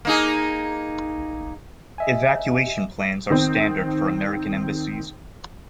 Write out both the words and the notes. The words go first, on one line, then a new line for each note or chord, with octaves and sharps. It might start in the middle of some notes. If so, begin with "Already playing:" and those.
Evacuation plans are standard for American embassies.
A#3 D#4 G#4
D#5 E5 G#5
D#3 C4